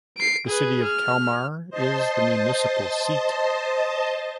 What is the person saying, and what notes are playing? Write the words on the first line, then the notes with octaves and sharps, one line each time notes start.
The city of Kalmar is the municipal seat.
C7 D7
G#4 B4
F6
C5 D#5 A5 C6